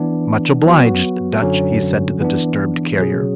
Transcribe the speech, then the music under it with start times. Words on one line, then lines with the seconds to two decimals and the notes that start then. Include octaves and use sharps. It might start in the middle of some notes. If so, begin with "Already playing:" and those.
"Much obliged, Dutch," he said to the disturbed carrier.
Already playing: E3 B3 D4
0.65 F#3 B3 F#4
1.42 F#2 D3 F#3 C#4
2.20 E3 B3 D4
2.98 B2 F#3 C#4 G#4